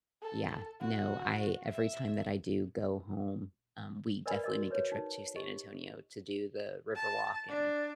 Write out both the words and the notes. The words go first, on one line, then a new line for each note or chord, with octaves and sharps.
Yeah. No, I every time that I do go home, um, we definitely make a trip to San Antonio to do the River Walk and
A4
F#4
E5
A#4 B4 D5 D#5 G#5 B5
F#4 A#4 D#5
B4 C#5
D#4
G4 D#5
A5
D4